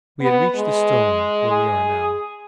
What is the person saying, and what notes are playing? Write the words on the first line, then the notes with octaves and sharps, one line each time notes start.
We had reached the stone where we are now.
B3
G#3
G#4